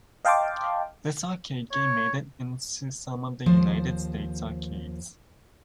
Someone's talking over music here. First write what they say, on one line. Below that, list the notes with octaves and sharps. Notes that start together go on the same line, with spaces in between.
This arcade game made it into some of the United States arcades.
D#5 F5 G5 A5 C6 D6
C#5
D#2 F3 C5